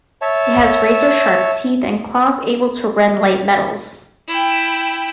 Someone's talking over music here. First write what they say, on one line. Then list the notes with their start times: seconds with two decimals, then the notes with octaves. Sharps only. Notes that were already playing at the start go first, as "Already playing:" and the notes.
He has razor sharp teeth and claws able to rend light metals.
0.22 C#5 E5 A5
4.28 E4 G5